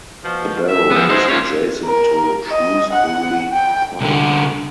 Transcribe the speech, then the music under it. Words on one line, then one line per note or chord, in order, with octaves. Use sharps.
The barrow is adjacent to Shrewsbury Park.
B2 F3
E5
F3 B3
D#4 C5
A#3 C#4 F4 A#4 C#5
A#4
D#5
F#5
G5
C2 D3